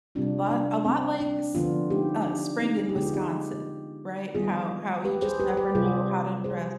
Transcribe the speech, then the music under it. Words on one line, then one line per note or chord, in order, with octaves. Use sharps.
but a lot like s m uh, spring in Wisconsin, right? How how you just never know how to dress,
C3 G3 C4 D4 F4
D4
C4
D4
D3 F3 B3 D4 F4
D#4 G4
D4
C4 D#4
G#4
G4
D3 G#3 B3
F4
D#4 G4
D#3 G3 B3 F4 G#4
G4 B4
G#4 C5
G4 B4
G4 B4
C3 G3 C4 F4 G#4
G#4 C5